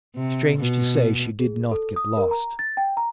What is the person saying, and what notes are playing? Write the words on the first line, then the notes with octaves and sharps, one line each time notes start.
Strange to say, she did not get lost.
C3
B2
G#4
A4
D#6
A#4
A#5
A6
G5
A#5